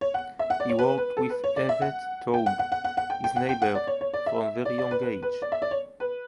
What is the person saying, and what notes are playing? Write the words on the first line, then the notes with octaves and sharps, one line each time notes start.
He worked with Evert Taube, his neighbor from a very young age.
C#5
F#5
E5
F#5
D5
C#5
B4
B4
A4
B4
C#5
D5
E5
F#5
G5
F#5
F#5
F#5
F#5
F#5
G5
G5
F#5
G5
F#5
D5
C#5
C#5
D5
E5
D5
D5
B4
B4
B4
D5
E5
D5
C#5
B4